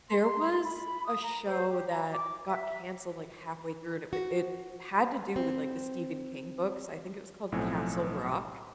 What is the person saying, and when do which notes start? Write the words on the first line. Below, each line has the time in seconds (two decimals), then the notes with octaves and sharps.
There was a show that got canceled, like, halfway through and wi it had to do with, like, the Stephen King books. I think it was called Castle Rock.
0.10 C6
0.64 B5
1.06 D#6
1.22 A#5
1.44 C5
1.69 G4
1.91 A#5
2.13 D6
2.48 E5
4.13 F#4
5.36 C4
7.52 B1 A2 F3 C4 G#5